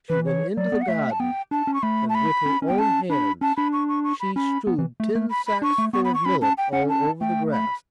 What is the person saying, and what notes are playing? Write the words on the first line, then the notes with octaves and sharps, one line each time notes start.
She went into the garden, and with her own hands she strewed ten sacks full of millet all over the grass.
E3 B4
C#5
F#3 D5
B3
F#5
A3 E5
A5
B3 G5
D4 A5
C#4
C#6
A3 B5
A5
B5
C#4
C#4
B3 G5
C#4 A5
D4 B5
C#4 A5
D4 B5
C#6
C#6
C#6
B5
C#4 B5
B3
E3
A3
A3
B5
B5
D4 C#6
A3
B3 C#6
B5
C#6
C#4 B5
C#4 A5
G5
C#4 F#5
A5
A3 G5
B5